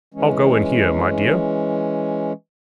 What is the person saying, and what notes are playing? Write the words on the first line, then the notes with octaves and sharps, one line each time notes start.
'I'll go in here, my dear.'
E3 G#3 C#4